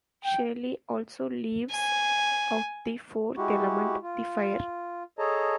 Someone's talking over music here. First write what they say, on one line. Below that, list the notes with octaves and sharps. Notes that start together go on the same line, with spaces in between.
Shelley also leaves out the fourth element: the fire.
G5
G#5
G#3 E4 F#4 G4
F4
G#4 A4 C#5 D#5 A5 A#5